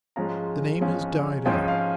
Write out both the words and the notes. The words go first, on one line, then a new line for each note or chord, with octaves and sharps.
The name has died out.
G#2 F3 G#3 C#4 F4 A#5
G#2 F3 G#3 C#4 F4
G#2 F3 G#3 C#4 F4 G5
F5